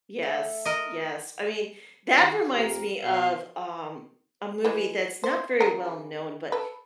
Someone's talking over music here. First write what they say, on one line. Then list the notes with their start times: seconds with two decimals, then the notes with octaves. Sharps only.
Yes, yes. I mean, that reminds me of, um, a movie that's not very well-known, but,
0.23 A3
0.65 A#4 D#5
2.12 D#3 E4 G4
2.45 F2 G4 A#4
2.99 B2 F#4 E5 F5
4.65 E3 G#3
5.24 C5
5.61 C#3 A#4
6.52 A4 B4